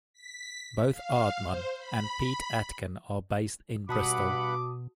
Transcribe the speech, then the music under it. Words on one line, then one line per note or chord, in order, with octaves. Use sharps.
Both Aardman and Pete Atkin are based in Bristol.
B6
F5
C5
B5
G2 B2 F#4 F#5 A5 B5 D6 D#6